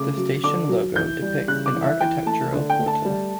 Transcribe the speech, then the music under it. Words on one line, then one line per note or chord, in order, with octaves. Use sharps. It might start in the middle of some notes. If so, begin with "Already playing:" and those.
The station logo depicts an architectural portal.
Already playing: C#3 A3 D6
F#3
D3 D6
F#3
E3 G6
G3
C#3 F#6
D6
E3
E5
E3 G5
A3 A5
D3
G5
A3
A5
G3